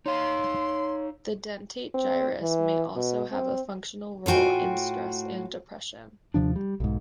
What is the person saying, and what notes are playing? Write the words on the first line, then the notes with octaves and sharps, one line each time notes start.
The dentate gyrus may also have a functional role in stress and depression.
D#4 C#5 F5 C6
C4
E3
B2
C4
A2 F4 F#4 G5 G#5
D#2 C3 F3 D4
G3
B1 G#2